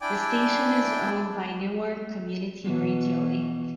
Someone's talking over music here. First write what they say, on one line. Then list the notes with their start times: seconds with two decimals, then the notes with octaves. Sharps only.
The station is owned by Newark Community Radio Inc.
0.01 D4 E4 D5 G5 G#5 D6
2.64 B2 E3